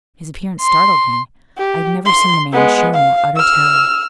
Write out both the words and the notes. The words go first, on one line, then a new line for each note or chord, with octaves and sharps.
His appearance startled me: I had never seen a man show more utter terror.
C6
G4
C6
G#3 B3
F5
E6 F6